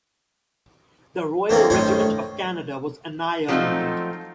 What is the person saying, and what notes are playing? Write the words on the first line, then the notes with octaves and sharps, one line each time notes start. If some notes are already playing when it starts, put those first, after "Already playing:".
The Royal Regiment of Canada was annihilated.
E2 D3 A#3 C4 C#4
A#1 A2 D#3 C5 C#5
F3 F#3 A3 C4 D#4 F4